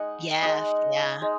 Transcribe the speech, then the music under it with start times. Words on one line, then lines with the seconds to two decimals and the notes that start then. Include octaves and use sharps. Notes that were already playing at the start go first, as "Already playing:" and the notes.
Yes, yeah.
Already playing: G#3 D#4 D#5 F#5 G#5
0.42 G#3 D#4 D#5 F#5
1.22 G#3 D#4